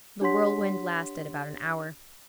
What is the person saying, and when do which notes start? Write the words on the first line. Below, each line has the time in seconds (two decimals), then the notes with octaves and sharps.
The whirlwind lasted about an hour.
0.21 D4 G4 C#5 F#5 C6 B6